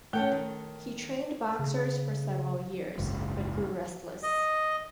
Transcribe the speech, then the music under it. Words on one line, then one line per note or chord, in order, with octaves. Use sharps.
He trained boxers for several years, but grew restless.
A3 C#4 A4 G5
D#3
C#3
F#1 C#2 G#2
D#5